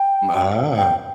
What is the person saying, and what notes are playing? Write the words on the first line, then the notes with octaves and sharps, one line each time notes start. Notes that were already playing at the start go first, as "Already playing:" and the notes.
M ah.
Already playing: G5
G5